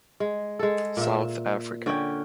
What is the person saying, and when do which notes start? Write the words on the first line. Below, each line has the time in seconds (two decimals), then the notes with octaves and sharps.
South Africa.
0.20 G#3
0.59 G#3 A4
0.97 A#2 E5
1.86 D3 C#4 G5